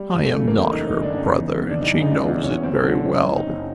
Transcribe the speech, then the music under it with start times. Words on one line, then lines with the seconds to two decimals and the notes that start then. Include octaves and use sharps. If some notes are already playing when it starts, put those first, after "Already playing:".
I am not her brother, and she knows it very well.
Already playing: G3
0.15 F#1
0.24 A3
0.35 C#3
0.48 A#3
0.55 E2 A3
0.71 D#4
0.76 F#1
0.87 D#4
0.97 F#1
1.03 D4
1.13 D4
1.17 C#3 D#4
1.39 E2
1.60 F#1
1.69 D4
1.81 F#1 D#4
2.01 C#3 D#4
2.11 D4
2.22 E2
2.43 F#1 C#4
2.63 F#1 C4
2.84 D3 C4
3.05 F#2 C#4
3.26 F#1
3.36 D#4
3.47 F#1